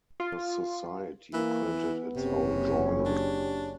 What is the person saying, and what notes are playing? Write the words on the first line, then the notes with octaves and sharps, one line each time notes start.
The society printed its own journal.
F4
E3 A#3
B3
F#1 C3 C#4
D4 G4